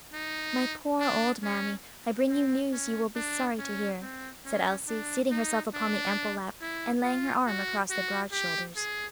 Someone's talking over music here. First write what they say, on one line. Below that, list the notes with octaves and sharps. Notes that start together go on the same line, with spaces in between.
"My poor old mammy, I bring you news you will be sorry to hear," said Elsie, seating herself upon the ample lap, and laying her arm across the broad shoulders.
D#4
D4
C#4
C4
C#4
D4
C#4
C4
C#4
D4
D#4
D4
E4
F4
F#4
F#4
G4
G#4